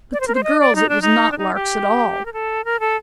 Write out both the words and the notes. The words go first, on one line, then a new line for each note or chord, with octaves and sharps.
But to the girls it was not larks at all.
D5
C5
A#4
C5
D#5
D5
D#4
D4
D#4
D4
D#4
G4
A#4
A4
A#4
A4